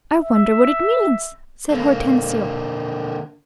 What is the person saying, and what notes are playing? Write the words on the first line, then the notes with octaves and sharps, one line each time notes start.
"I wonder what it means," said Hortensio.
E5
D3 A#3